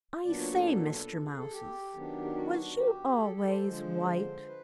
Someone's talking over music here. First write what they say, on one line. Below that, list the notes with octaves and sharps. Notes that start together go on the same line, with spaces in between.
"I say, Mr. Mouses, was you always white?"
A#2 F#3 B3 D4 D5
C#5
A4
G#4
A4
G4
D#3 F#3 B3 D4
G4
F#4
G4
G#4
A4
A4
C5
D3 F3 G#3
B4